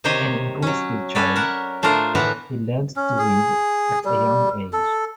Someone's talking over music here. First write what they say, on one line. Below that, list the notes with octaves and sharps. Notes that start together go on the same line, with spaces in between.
An inquisitive child, he learned to read at a young age.
C3 D#3 G4 C5 C#5 D#5
F#3 C#4
C#4 F#4 A4 B4 C#5 D5
A#4 E5 F#5
A2 A3 D4 F4 A#4 C5
A2 E3 B3 A#4 F#5 A#5
C#4
G#4
G3
A4